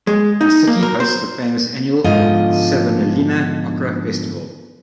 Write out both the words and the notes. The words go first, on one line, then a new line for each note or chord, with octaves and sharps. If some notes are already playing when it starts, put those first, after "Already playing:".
The city hosts the famous annual Savonlinna Opera Festival.
G#3
D#4
A#3
A#4
C5
G#2 B2 D3 F3 F4 D#5